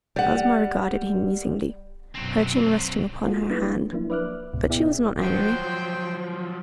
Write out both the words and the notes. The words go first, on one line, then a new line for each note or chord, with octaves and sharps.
Ozma regarded him musingly, her chin resting upon her hand; but she was not angry.
G3 F#5
F#2 B2 F#3 C4
A#3 F4 F#4 G#4 A4
F#3 A#3 D4 E4 B4
F3 F#3 A#3 D4 E4
B4 D5 E5 D6 F6 F#6
C#2 G#2 B2
B3 E4 G#4 D5 E5 G5
F3 F#3 C5 G5